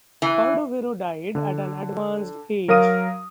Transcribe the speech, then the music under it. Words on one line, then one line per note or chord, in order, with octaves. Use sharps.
Cordovero died at an advanced age.
E3
D3
F#3 A#4 F5 D#6 D#7